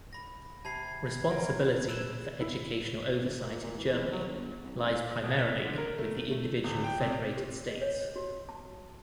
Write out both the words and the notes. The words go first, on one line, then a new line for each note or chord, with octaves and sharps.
Responsibility for educational oversight in Germany lies primarily with the individual federated states.
B5 A#6
C3 A5 B5 G#6 C7
F#3 A#4
A#2 E6 F#6 E7
E4
E1
A#2
A#2
E3
E2
F#3
G1
C2
F1
B2
B6
D3
A#4
A3
A3
D1
G5
C3
G4
D#5
C#5
F#4
A5